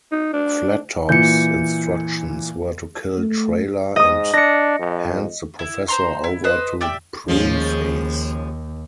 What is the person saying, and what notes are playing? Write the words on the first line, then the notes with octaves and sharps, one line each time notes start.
Flattop's instructions were to kill Trailer and hand the Professor over to Pruneface.
D#4
D4
A#2 E3 G6 C#7
A3
G#2 D#5 D#6
D4 A#6 C#7
F2
E4
C5 A#5 C6
E4
B4 C5 D#5
G4 D5 E5 G5
D#2 F3 G#3 C#4